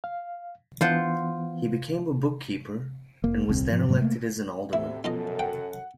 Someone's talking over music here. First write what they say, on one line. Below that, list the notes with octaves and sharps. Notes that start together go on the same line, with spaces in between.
He became a bookkeeper, and was then elected as an alderman.
F5
E3 B3 F4 C5 F#5
F1 A#3
D#1 C2 C4
G#2 F3
G#2 F#3 A#3
A3 A#3
D2 A2 C3 E4 E5
F#2 B2 F3 D#4 F4 A4 D#5
F#5 G5